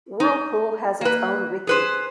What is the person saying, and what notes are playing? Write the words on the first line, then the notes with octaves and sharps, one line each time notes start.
Whirlpool has its own Wiki.
D#4
A#3 B4
G#4 B4 C5